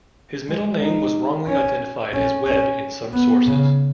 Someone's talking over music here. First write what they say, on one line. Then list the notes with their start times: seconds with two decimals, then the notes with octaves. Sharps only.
His middle name was wrongly identified as Webb in some sources.
0.49 G#3
0.81 D#4
1.47 C#4
2.13 C#4
2.47 C#4
3.13 B3
3.47 C#3